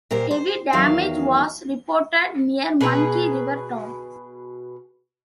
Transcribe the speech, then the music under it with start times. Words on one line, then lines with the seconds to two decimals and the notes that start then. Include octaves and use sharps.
Heavy damage was reported near Monkey River Town.
0.11 A#2 G4 A#4 C5
0.31 C5
0.73 E2 D#3 F#3 F5
2.81 B2 G#4 B4 A#5